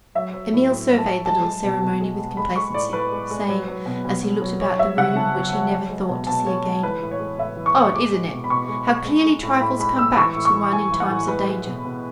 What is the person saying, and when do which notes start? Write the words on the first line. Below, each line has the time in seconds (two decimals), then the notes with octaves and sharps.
Emil surveyed the little ceremony with complacency, saying, as he looked about the room which he never thought to see again: 'Odd, isn't it, how clearly trifles come back to one in times of danger?
0.15 F#3 E5
0.34 F#3
0.53 A2
0.71 A2
0.90 F#3
0.98 A5
1.07 F#3
1.26 G#3 A5
1.44 G#3
1.64 B2
1.82 B2
2.01 G#3
2.18 G#3
2.37 G#3 B5
2.56 G#3 C#6
2.74 A2 D5
2.93 A2 B4
3.11 G#3
3.30 G#3
3.49 F#3
3.68 F#3
3.86 B2
4.05 B2
4.23 F#3
4.42 F#3
4.61 F#3 C#5
4.79 F#3 E5
4.97 C#3 F#5
5.15 C#3 A5
5.35 F#3
5.53 F#3
5.72 G#3
5.90 G#3
6.08 B2
6.27 B2 A5
6.46 G#3 C#5
6.64 G#3
6.83 E3 B4
7.02 A2
7.11 C#5
7.20 G#3
7.39 A2 E5
7.57 E3
7.66 C#6
7.76 A2
7.94 G#3 D6
8.13 G#3
8.32 B2
8.44 B5
8.50 B2 C#6
8.68 G#3
8.88 G#3
9.05 G#3
9.25 G#3
9.43 A2
9.61 A2 B5
9.80 G#3 B5
9.99 G#3 E6
10.17 E3 C#6
10.35 A2
10.45 C#6
10.55 G#3
10.72 A2 G#5
10.92 E3
11.00 F#5
11.09 A2
11.28 G#3 B4
11.48 G#3
11.66 B2
11.85 B2